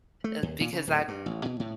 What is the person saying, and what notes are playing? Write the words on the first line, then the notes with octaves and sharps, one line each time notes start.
uh, because I
A3
D#2
A#2
C#3
D1
G2
A1
B2
A2